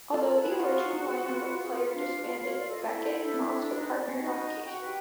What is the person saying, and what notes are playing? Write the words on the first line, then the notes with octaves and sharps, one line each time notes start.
Although the original lineup of Player disbanded, Beckett and Moss have partnered on occasion.
F4 A4 A5
F4 A#4 A#5
A4 A5
G#4 B4 G#5
F4 F#4 F#5
G#4
G#4
G#4
F4
B4
F4
G#4
F4
D4 F4 F5
F4
F4
F4 C#5
F4 D5
A4 D#5
E4 A4 E5
C5
A4
D4
A4
D4
D#4 B4 D#5
C#4
D5
C#4
D5
D#4 F#4 D#5
F#4
F#4
F#4 G5
F#5
G4 B4 G5